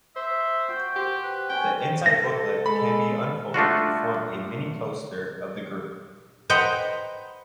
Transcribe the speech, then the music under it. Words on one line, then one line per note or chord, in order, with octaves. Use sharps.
The inside booklet can be unfolded to form a mini-poster of the group.
C5 E5
F#4 G5
G4 C5
B4
C#4 G5
A4 A#6
G#3 B5
A3 D4 F4 F#4
B4 C5 D#5 F#5 G5 A#5